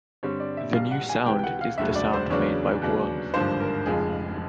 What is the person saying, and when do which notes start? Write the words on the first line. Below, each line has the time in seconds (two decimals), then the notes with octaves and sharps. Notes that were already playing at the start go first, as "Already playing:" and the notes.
'The new sound is the sound made by worms.
0.23 G2 D3 G3 C4 C#5
0.40 D5
0.57 E5
0.74 A#1 A#2 G3 F5
0.91 F#5
1.09 G#5
1.26 C#2 C3 E3 G5
1.39 G5
1.44 F#5
1.61 F5
1.78 E1 D2 C#3 F#3 A3 E5
1.95 D5
2.13 C5
2.30 E2 C#3 F#3 B3 D4 C#5
2.82 D#2 C#3 F#3 B3 D4
3.34 G#1 G2 D3 F3 A#3 C5
3.60 A#4
3.86 F1 F2 C#3 F3 G#3 G#4